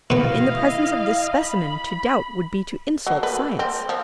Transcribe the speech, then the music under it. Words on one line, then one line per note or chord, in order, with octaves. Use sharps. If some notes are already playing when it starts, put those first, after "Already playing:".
But in the presence of this specimen to doubt would be to insult science.
B2 B3 E4 D#5 F5
B5
F#3
B4
C4
F3